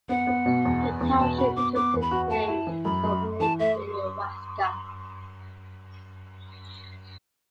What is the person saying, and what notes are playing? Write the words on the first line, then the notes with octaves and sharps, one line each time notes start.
The township took its name from Lake Minnewaska.
B3 F#5
B3
B2
E2
B3
E2
B2 A5
F#4 B5
B3 D6
B3 D6
E2
B5
F#4
A3 A5
E4
E3
F#2 B5
F#2
A3
E3 A5
A3 E5